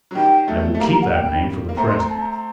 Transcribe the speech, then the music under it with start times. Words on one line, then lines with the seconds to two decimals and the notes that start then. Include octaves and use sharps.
I will keep that name for the present.
0.11 F#3
0.15 D#3 G3 G5
0.48 F#3 A3
0.74 A3
0.80 G3 A#3 A#5
0.91 A#5
1.02 F#5
1.13 G5
1.69 A#3
1.77 A3 C4 A#5
1.88 C6
1.99 A#5
2.10 A5
2.21 A#5
2.31 A#5